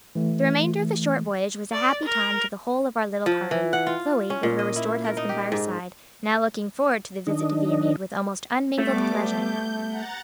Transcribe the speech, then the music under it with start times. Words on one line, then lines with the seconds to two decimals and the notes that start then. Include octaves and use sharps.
The remainder of the short voyage was a happy time to the whole of our little party, Chloe, with her restored husband by her side, now looking forward to the visit to Viamede with almost unmingled pleasure.
0.15 E3 A3
1.73 D5
2.05 A#4
3.26 F3
3.51 E3
3.73 F#5
3.87 F4
4.30 C#4
4.43 A#2
4.59 D#5
4.76 E4
5.04 A#4
5.17 D#4
5.29 G4
5.52 G#2
7.27 D#3 D4 D#5
8.78 G3 A3 B3 D6
9.13 G6
9.88 F#5 A#5 A6